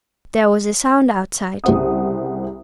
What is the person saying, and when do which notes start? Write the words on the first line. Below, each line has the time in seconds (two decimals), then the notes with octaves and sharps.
There was a sound outside.
1.64 C2 C#3 C5 F#5 D#6